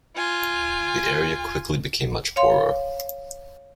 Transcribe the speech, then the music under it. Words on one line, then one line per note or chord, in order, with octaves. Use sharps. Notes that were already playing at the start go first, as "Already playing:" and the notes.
The area quickly became much poorer.
F4 G#5
C#5 F5 C6